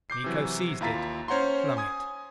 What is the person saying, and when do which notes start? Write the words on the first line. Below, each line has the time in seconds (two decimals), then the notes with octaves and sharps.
Miko seized it: flung it.
0.10 D6 G6 C7
0.24 C3 E3 F#3
0.80 D#2 E4 F4 A#5 A6 B6
1.28 C#4 C5 C#5 F#5 A#5 C6
1.77 G#5 D#6 G#6